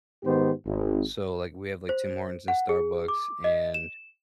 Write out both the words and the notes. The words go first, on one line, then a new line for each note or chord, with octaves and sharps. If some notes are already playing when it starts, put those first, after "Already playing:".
so, like, we have, like, Tim Hortons and Starbucks and,
G#2 D#3 B3 G4 C5
G#1
C5
F#5
G#4
D6
D#5
E7